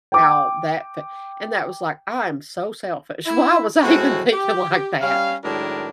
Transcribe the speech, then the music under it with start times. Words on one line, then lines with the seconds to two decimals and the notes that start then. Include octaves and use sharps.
about that fee" And that was like, I am so selfish. Why was I even thinking like that?
0.12 G5 D6
3.25 E4
3.83 A2 G#3 C4 F#4
4.31 G4
5.00 G3 C#4 F5
5.43 A2 D#3 F#3 G#3 D4 A#4